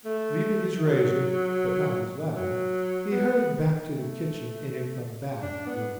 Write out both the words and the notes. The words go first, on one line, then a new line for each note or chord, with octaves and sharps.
Leaving his razor, but not his lather, he hurried back to the kitchen in a combative mood.
A3
F#3
F#3
B3
A3
D4
B3